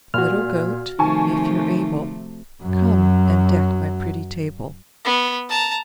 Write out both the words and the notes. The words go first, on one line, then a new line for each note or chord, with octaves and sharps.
"Little goat, if you're able, Come and deck my pretty table."
A#2 F#4 F6
C3 D#3 F3 A3 G#5 A5 C#6
F#2 F#3
B3
A5 A#5